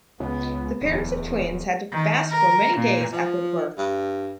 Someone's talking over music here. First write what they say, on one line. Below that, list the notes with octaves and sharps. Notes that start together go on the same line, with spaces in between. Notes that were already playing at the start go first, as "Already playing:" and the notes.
The parents of twins had to fast for many days after the birth.
C#2 B3
D1 E2
D#3
A#4
A#2
F3
G2